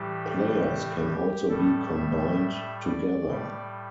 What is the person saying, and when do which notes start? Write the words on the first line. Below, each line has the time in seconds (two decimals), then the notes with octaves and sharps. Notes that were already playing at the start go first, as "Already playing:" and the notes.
Players can also be combined together.
Already playing: A2 E3 G3 G4
1.05 G4
1.50 A2 G3 A4
1.94 E5
2.83 D5
3.27 A2 G3